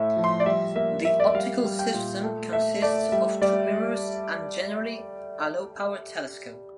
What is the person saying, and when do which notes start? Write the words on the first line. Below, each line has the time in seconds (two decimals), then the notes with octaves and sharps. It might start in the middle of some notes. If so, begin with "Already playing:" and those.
The optical system consists of two mirrors and, generally, a low power telescope.
Already playing: A2 A3 E5
0.17 F3
0.24 C6
0.40 D5
0.46 G3 E5
0.76 A#3 E5
1.05 A#3 E5
1.20 D5
1.27 E5
1.35 G3 F5
1.64 G3
1.79 G5
1.94 A#2
2.23 A3
2.53 A3 E5
2.82 A3 D5
3.12 G3 E5
3.42 G3 D5